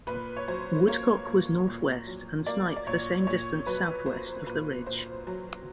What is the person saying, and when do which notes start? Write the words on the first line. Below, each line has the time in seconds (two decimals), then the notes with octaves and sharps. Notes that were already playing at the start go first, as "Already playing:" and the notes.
Woodcock was north-west and Snipe the same distance south-west of the ridge.
0.07 A#2 B4
0.36 C#5
0.48 F#3 C5
0.87 A#3 C#5
1.27 A#2
1.67 A#2
2.07 F#3
2.46 A#3 D5
2.76 D5
2.87 A#2 C#5
3.27 A#2 C#5
3.66 F#3 B4
4.06 A#3 C5
4.47 A#2 B4
4.86 A#2 C5
5.27 F#3